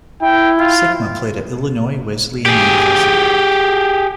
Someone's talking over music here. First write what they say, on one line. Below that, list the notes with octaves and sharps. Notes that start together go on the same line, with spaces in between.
Sikma played at Illinois Wesleyan University.
E4 G5
F4
G4 G#4